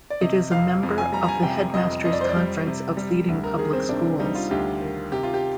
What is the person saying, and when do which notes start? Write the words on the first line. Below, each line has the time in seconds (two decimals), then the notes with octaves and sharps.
It is a member of the Headmasters' Conference of leading public schools.
0.10 D5
0.21 C3 D#5
0.51 F2 F5
0.83 F2
0.98 G#5
1.12 G3 A#5
1.24 A#5
1.28 G#5
1.43 C3 G5
1.74 F2 D#5
2.05 F2 D#5
2.13 D5
2.21 C5
2.29 D5
2.36 G3
2.67 C3
2.97 G3
3.28 D2
3.44 A#4
3.58 D#3 G#4
3.73 C4
3.89 C3 D4
4.20 G3 D#4
4.35 F4
4.51 D2 G4
4.81 D#3
5.12 C3 G4
5.23 F4
5.34 G4